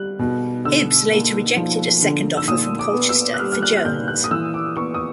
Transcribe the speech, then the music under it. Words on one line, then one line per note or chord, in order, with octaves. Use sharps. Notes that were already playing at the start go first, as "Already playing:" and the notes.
Hibs later rejected a second offer from Colchester for Jones.
Already playing: G3 F#6
B2
D3 E6
A#3
F3
D3
E6
A#2 D#6
D6
B3
E6
F#6
G3 F6
F6
F#6
F#6
A#2 G6
F#6
D#6
E3 E6
D6
B3 C#6
D#6